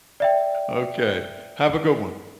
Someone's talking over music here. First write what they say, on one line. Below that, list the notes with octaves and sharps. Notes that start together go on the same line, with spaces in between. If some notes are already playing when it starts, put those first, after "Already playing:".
Okay. Have a good one.
D5 E5 G5